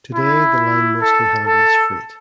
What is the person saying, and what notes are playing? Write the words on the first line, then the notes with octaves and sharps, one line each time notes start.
Today the line mostly handles freight.
E4
A4
A4